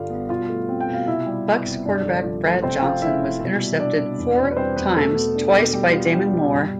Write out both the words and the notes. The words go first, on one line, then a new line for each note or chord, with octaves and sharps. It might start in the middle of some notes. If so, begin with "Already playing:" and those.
Bucs quarterback Brad Johnson was intercepted four times, twice by Damon Moore.
Already playing: G2 D3 G3 D4 F4 F5
B3
B2 F4 F5
A3
C4
G5
B2
F5
C3 E4 E5
G3
B3
C3
G2 D4 D5
D3
F3
A3
C3 C4 C5
G5
F3 F4 F5
A3 E4 E5
C3
B2
G3
C4 D4 D5
B2
E2
B2
B4
G3 C4 C5
E2 B3 B4
B2 A3 A4
B3
D4
B2
B2 G3 G4
G4
B3 F4
G3 D4 G4
B2
G2